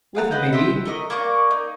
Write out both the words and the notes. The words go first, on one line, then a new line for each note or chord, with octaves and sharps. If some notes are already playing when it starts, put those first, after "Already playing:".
"With me!"
F5 F#5 A#5
B4 D#5 F#5 G6
B3 C5 E5
A3 A#4 D#5 D#6
A#3 A#4 D5 C#6
D#4